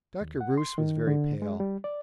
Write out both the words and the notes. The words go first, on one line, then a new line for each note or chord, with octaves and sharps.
Dr. Bruce was very pale.
D#2
F#5
C6
D#3
D3
G#3
G3
D5